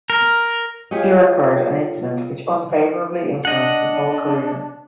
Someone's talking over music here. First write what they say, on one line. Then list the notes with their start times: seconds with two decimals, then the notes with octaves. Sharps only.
Here occurred an incident which unfavourably influenced his whole career.
0.10 A#4
0.91 F4 G4 G#4 C#5 D#5
3.45 D4 D#5 F#5